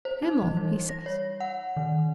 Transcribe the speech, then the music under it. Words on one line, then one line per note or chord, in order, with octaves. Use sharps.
"Himmel!" he says.
C5
D#4
E3
G3
A#6
C#5
F#5
D#3